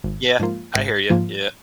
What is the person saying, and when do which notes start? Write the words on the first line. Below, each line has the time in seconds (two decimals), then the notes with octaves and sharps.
Yeah, I hear you, yeah.
0.04 G#1
0.40 G#2 F3 A#3 F4
0.75 G#1
1.10 G#2 F3 A#3 F4